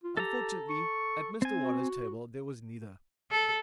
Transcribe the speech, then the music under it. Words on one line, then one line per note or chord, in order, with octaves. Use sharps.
Unfortunately, at Mr Waller's table there was neither.
F4
G4 A4 A#5
C#6
C4 G#5
F#4
A4